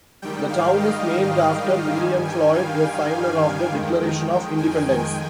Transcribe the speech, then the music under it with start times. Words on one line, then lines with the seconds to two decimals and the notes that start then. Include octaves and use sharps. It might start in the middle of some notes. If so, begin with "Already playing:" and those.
The town is named after William Floyd, a signer of the Declaration of Independence.
0.22 G#2 D#3 G3 G5
0.50 F5
0.80 D#5
1.10 D#5
1.38 F5
1.68 G5
1.96 G2 D#3 G3 G#5
2.25 G5
2.54 F5
2.84 G5
3.72 F2 D#3 G#3
4.58 G#5
4.88 G5